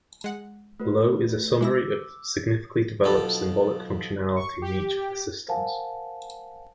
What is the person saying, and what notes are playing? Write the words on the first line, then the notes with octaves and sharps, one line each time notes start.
Below is a summary of significantly developed "symbolic" functionality in each of the systems.
G#3 F#5
A3 F#4 B4
G#3 E4 D6 E6 A#6
B1 B2 F3 A4 A5 B5
C#6
G4
A#4 C5 F5 F#5 G#5 A5